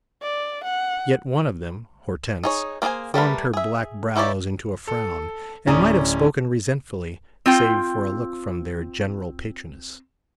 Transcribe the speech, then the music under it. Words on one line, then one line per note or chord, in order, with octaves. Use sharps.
Yet one of them--Hortense--formed her black brows into a frown, and might have spoken resentfully, save for a look from their general patroness.
D5
F#5
D#4 G#4 C#5
A#3 D4 G#4 C5 G#5
G3 A3 A#4 B4
G#4 E5
D#4 E4 G4 C#5 D5
A4
D1 C#4 D5 A#5 D#6
C4 F4 G5